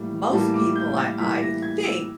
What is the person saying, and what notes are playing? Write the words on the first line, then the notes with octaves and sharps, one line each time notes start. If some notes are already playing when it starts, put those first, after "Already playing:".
most people I I think
Already playing: A2 E3 G3 A#3
A2 E3 G3 A#3 A5
D6
G6
A6
A2 E3 G3 A#3 B6
A#6
G#6
E6